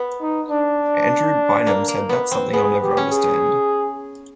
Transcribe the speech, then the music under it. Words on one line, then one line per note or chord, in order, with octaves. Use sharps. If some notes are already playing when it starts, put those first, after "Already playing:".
Andrew Bynum said That's something I'll never understand.
Already playing: B3
D#4
D4
A#3
A#3
B3
C4
B3 G#4
G4
C#4
G#4